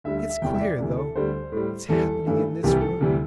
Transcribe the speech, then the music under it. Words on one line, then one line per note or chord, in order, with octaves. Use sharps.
"It's queer, though, its happening in this room!"
D2 D3 G3 E5
E5
E5
E2 C3 E3 G3 G5
E5
D5
D2 C3 E3
A4
D2 D3 G3 C5
A2 G3
E2 E3 G3 A4
G2 E3 A3
C2 C3 E3 G3 G4
A4
D2 C3 E3 G3